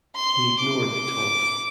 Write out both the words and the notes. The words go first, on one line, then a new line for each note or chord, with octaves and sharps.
He ignored the taunt.
C6
D6